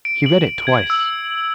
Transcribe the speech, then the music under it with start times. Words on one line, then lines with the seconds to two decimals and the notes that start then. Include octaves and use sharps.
He read it twice.
0.05 D7
0.26 F#7
0.67 G#6
0.90 E6